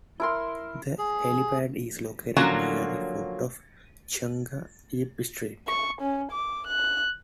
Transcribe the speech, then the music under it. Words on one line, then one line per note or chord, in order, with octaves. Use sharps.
The helipad is located near the foot of Cheung Yip Street.
E4 A#4 C6
G#4
D3 F3 F#3 A#3 C#4 F#4
C#6
C#4
D6
F#6